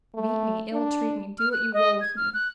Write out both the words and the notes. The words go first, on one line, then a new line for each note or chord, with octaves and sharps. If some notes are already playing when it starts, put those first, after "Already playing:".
Beat me, ill-treat me, do what you will with me....
A3
D4
F6
F#6
D#5
G#6
F6
F#6